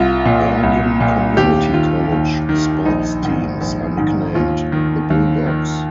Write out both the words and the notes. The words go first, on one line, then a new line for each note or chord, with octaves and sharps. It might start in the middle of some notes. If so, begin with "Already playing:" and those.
Bergen Community College sports teams are nicknamed the Bulldogs.
Already playing: C2 F4
A#2
C2
A#2
D#2 G4
D#3 F4
D#2
D#3
A#1 D#4
G#2 D#3
A#1
G#2 D#3
D#2 F4
D#3
D#2
D#3